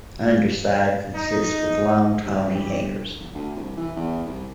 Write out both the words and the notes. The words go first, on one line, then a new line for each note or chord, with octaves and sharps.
Underside consists with long tawny hairs.
D#4
D3 E3 G3 D4 G4
D2
C2
E3
E2
C2